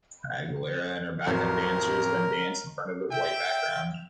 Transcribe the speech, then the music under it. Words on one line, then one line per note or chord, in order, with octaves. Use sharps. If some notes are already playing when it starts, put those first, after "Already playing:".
Aguilera and her backup dancers then dance in front of a white background.
A1 F2 F#3 A#4
E5 G5